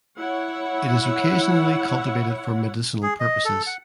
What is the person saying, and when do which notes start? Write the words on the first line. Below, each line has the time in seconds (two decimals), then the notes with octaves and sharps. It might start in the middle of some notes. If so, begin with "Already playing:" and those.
It is occasionally cultivated for medicinal purposes.
0.18 E4 C#5 F#5
3.03 G#4
3.20 D#5
3.45 A4
3.67 F#5